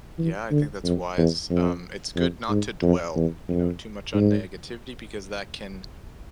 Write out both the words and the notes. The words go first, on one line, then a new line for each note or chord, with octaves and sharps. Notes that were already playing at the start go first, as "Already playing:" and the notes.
Yeah, I think that's wise, um, It's good not to dwell, you know, too much on negativity because that can
E3
D3
F2
E2
F2
F2
G#2
F2
E2
F2
G#2